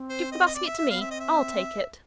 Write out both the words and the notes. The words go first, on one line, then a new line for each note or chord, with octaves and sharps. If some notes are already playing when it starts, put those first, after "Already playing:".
'Give the basket to me,--I'll take it.'
Already playing: C4
C5
D#5
D#5
D5
E5
E5
B3 F5
C4 E5
D#5
E5